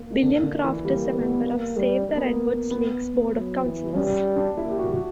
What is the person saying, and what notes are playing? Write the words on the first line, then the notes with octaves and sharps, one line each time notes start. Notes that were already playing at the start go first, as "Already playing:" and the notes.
William Croft is a member of Save-the-Redwoods League's Board of Councillors.
Already playing: A#3
D3
D3
E3
G3 A#3
B3
A#3
G3
A#3
B3
A#3
B3
F#3
E3
G3 C#4
D4
A#3 E4
G4
F#4
F#4